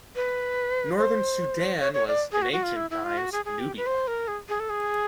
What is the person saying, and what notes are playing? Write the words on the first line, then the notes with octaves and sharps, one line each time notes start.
Northern Sudan was in ancient times Nubia.
B4
C5
C#5
C#5
D5
G#4
F#4
F#4
F4
E4
E4
F4
F#4
G#4
G#4
G4
B4
C5
A#4
G#4
G#4
A4
G#4